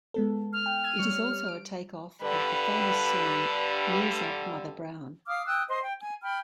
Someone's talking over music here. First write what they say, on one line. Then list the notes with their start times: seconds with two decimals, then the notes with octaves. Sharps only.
It is also a take off of the famous song "Knees Up Mother Brown".
0.14 G#3 B3 A4
0.53 F6
0.66 G5
0.84 E6 G#6 D#7
0.98 G3 C#5 C#7
1.48 D7
2.22 G2 D3 G3 B4
5.27 F5 D6 D#6 F6
5.46 G5 D#6 E6 F#6
5.69 C5 D#5 C6
5.83 G5
5.99 G#5
6.23 G5 B5 F6